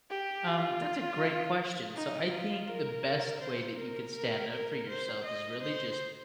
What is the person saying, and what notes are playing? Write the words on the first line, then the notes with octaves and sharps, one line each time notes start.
Um, that's a great question, so I think the best way that you could stand up for yourself is really just
G4
F4
D#4
F4
A#4
C5
A#4
A#4
A#4
C5
D#5
C5